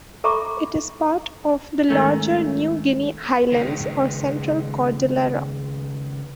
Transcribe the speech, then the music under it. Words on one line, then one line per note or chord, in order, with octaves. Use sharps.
It is part of the larger New Guinea Highlands or Central Cordillera.
A4 E5 A#5 B5 C#6 D6
G#2 D#3 A3 C#4
C#2 D#3